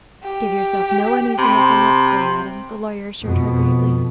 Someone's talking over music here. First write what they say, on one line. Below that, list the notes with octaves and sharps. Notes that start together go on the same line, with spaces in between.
"Give yourself no uneasiness on that score, madam," the lawyer assured her gravely.
G4
C3 B5 C6
F2 B2